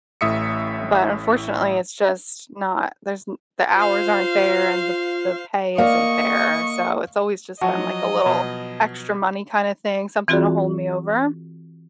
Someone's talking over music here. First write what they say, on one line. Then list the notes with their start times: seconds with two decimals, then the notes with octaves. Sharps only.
But unfortunately, it's just not. There's n the hours aren't there and the p the pay isn't there. So it's always just been like a little extra money kinda thing, something to hold me over.
0.21 A1 A2 E5 D#6 C#7
3.75 F4 C5 F5
5.78 A#3 D5 D#5 F5 C#6
7.61 F3 F#3 F#4 D#5 F#5 A5 C#6
8.26 B2
10.28 E3 C4 F4 F#4 G#4 D5